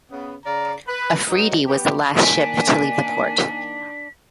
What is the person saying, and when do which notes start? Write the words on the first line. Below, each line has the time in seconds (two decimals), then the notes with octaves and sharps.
"Afridi" was the last ship to leave the port.
0.11 C#3 B3
0.45 C#3 D5 F5 A#5
0.87 B4
1.29 G2 F#3 D#4
1.66 B3 G4
2.21 D#3 A#3 D4 G#5 B6